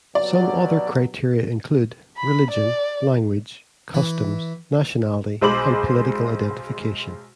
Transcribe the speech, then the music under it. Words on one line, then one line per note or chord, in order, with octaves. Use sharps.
Some other criteria include: "religion, language, 'customs,' nationality, and political identification".
G2 B2 F#3 D5
B5
D5
E3
B1 G#3 C5 B5 D6 F#7